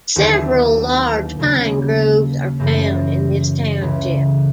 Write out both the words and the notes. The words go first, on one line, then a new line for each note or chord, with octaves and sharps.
Several large Pine Groves are found in this Township.
D#2 D3 F#3 B3 E4
D#2 C#3 F#3 A#3
F#2 C#3 E3 G#3
C#2 C#3 E3